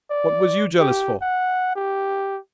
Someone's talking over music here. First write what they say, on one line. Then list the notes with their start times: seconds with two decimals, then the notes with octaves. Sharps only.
What was you jealous for?
0.10 D5
0.80 G4
1.22 F#5
1.76 G4